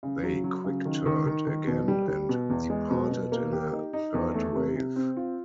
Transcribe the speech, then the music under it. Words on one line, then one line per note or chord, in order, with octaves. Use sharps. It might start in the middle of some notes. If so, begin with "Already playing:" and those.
They "quick-turned" again and departed in a third wave.
C#3
F#3
F#3
C#3
D#3
D#3
D#3
D#3
B2
G3
G3
B2
E2
G#3
B2
B2
A#3
G4
D#4
D#4
E2
A3
C3
C3
C4
F4